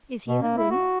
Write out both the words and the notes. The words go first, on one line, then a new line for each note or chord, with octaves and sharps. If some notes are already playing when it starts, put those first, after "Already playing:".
Is he in the room?
B2
A#3
E4
F#4